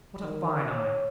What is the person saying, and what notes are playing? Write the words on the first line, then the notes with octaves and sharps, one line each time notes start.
What a fine eye!
D#3
C#5